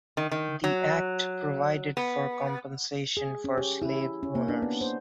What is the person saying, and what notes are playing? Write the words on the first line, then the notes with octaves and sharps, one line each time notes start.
The Act provided for compensation for slave-owners.
D#3
D#3
F#3
B3
G#4
C#4
G4
E4
C#4
A#3
D4
B3
C5